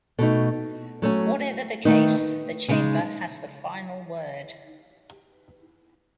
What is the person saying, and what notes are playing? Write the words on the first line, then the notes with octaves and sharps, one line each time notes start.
Whatever the case, the Chamber has the final word.
B2 A3 D#4 A4
F#3 A3 C#4
D#3 A3 D#4 B4
C#3 G#3 D#4